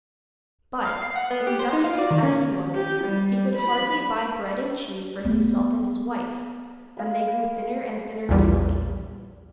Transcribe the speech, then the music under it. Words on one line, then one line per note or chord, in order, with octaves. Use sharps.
But, industrious as he was, he could hardly buy bread and cheese for himself and his wife, and they grew thinner and thinner daily.
F5
C7
F#5
B3
G4
C5
D#4
F5
D5
D#3
C#4
G4
G3
B5
A3 B3
F5 B5
A#1 E2 A#2 G3